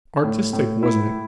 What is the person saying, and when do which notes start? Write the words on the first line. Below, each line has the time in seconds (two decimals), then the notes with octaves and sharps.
Artistic, wasn't it?
0.24 A2
0.53 A2
0.83 E4